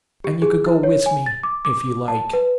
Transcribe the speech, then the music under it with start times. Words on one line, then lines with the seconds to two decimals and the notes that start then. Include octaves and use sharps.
And you can go with me, if you like.
0.24 G4
0.42 G#4
0.66 E4
0.83 C#5
1.06 G#5
1.26 A6
1.43 D6
1.65 D6
2.08 A5
2.33 B4